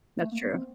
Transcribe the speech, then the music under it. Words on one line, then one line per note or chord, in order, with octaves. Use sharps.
That's true.
A3
A#3
B3
C4